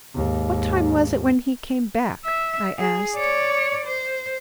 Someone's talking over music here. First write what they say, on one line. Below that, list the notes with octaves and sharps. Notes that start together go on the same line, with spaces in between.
"What time was it when he came back?" I asked.
D#2 G#2
E5
G#4
C#5 D5
C5